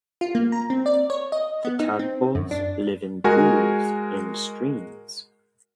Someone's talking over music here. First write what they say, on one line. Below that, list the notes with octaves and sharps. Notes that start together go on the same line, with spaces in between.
The tadpoles live in pools in streams.
F4
A#3
A#5
C4
D5
C#5
D#5
B3
D#4
C4
F#2
D4
G#3 F#4 A#4 G#5